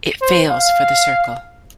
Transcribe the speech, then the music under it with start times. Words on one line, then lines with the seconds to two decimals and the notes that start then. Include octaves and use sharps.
It fails for the circle.
0.22 C5
0.50 F5